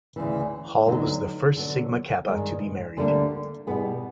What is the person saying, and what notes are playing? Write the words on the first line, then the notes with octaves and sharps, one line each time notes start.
Hall was the first Sigma Kappa to be married.
D2 C#3 E3
D2 D3 F#3 B3 D#4
D3 F#3 B3
G2 D#3 G#3
D2 D3 G3 A#3 D4
B2 G3 B3 E4 G#4